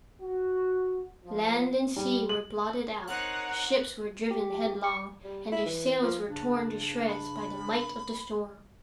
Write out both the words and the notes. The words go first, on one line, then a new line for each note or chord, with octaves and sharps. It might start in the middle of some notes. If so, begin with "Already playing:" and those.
Land and sea were blotted out, the ships were driven headlong, and their sails were torn to shreds by the might of the storm.
F#4
F3
G3
F#7
C4 D#4 A#4 C#5 F#5 F#6
G4
C#6
G3
E4
E3
F3
G2 C#3 D4
B5